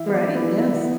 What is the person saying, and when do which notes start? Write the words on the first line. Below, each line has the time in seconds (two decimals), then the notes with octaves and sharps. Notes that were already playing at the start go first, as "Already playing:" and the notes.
Right, yes.
Already playing: E3 E5
0.09 B3
0.14 D5
0.25 E4
0.36 B4
0.42 E3
0.59 E4
0.75 B3